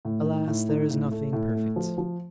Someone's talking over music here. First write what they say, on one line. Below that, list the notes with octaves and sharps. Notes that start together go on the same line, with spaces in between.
Alas, there is nothing perfect!
A2
D#4
A2
D#4
A2
A3
A2
A3
F3
F3